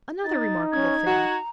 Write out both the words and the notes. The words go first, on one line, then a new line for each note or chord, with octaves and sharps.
Another remarkable thing.
D#4 A6
C#4 G#6
F#4 A#5